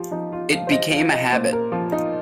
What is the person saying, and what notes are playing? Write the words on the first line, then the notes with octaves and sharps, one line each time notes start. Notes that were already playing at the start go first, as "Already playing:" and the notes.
It became a habit.
Already playing: F3 F4 G4
F3 D#4
F4
F3 F5
C5
D#5
F3 F5
D#5
A#2 C5
A#4
F3 F4
D#4